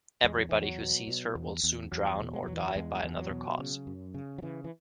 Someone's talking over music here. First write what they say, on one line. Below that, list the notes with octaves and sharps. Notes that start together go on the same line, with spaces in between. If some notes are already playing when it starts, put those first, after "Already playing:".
Everybody who sees her will soon drown or die by another cause.
E2 G#3
F#3
E2 E3
F#3
B2
B2
E2
E2
E2 F#3
B2
G#3
F#3
E2 E3
F#3
E2 G#3
E2
F#3
B2
C#3
F#2
C#3
F#3
C#3 E3
E3